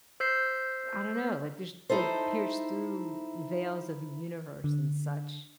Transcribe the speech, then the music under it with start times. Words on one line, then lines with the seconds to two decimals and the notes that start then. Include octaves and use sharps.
I don't know, like, just, like, pierce through veils of the universe and such.
0.20 C5 E6 G6 B6 C7
1.89 D#4 E4 A4 C5
4.64 D3